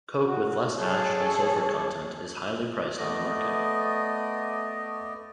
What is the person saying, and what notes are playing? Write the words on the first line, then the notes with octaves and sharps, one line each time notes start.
Coke with less ash and sulfur content is highly priced on the market.
F#4
F#3 G#4 A4 C#5
A3 B3 D5 D#5